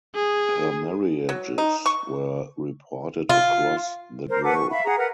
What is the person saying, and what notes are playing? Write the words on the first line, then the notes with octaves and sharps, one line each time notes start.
Her marriages were reported across the globe.
G#4
F#3
D#4
C#6
F4
A#4 C5
A4 B4 F#5 D6
C#6
E5 F5 B5
G#4 F#5 A#5
A#4 B4 F#5